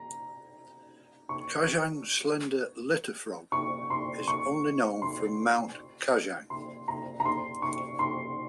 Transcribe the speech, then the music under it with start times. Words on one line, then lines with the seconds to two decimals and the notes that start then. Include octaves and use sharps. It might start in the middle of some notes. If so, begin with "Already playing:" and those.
Kajang slender litter frog is only known from Mount Kajang.
Already playing: A#5
1.29 C#6
3.52 C#6
3.90 C6
4.28 C#6
5.02 C6
6.50 C6
6.88 A#5
7.20 A#5
7.25 C6
7.62 C#6
7.99 C6